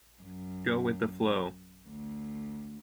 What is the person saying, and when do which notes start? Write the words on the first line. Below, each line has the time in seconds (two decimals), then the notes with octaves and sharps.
Go with the flow.
0.22 F#2
1.88 D2